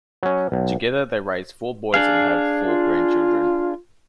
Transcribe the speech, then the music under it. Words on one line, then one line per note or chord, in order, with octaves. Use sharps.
Together they raised four boys and have four grandchildren.
F#3 C#4
B1
D4 G#4 F5
F4